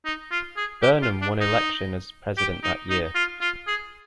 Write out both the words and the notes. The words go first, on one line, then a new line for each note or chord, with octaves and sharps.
Burnham won election as president that year.
D#4
F4
G#4
G4
F4
D4
D#4
G4
D#4
D#4
F4
F4
G#4